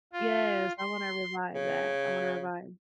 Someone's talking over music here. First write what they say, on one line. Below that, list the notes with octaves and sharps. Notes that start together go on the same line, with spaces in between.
Yes, I wanna revive that. I wanna revive
F4
C6
C#3